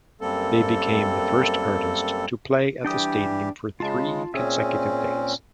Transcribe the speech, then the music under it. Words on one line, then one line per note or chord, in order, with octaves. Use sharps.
They became the first artist to play at the stadium for three consecutive days.
F#2 G3 A#3 C4 A4
E3 G3 D4 G4 G5 D#6
C#3 G#3 F4 A5
A#2 C4 C#4 G#4 E5